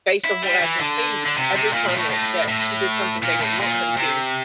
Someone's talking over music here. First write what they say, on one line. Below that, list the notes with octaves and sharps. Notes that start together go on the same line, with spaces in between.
based on what I can see, every time that that she did something they didn't want her to do,
E4
G3
E3
D3
D3
C3
C3
A#2
A#2
A2
A2
A2
A#2
A2
A#2
C3